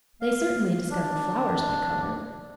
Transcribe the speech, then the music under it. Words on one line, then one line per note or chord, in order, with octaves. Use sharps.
They certainly discover flowers by colour.
F5
D4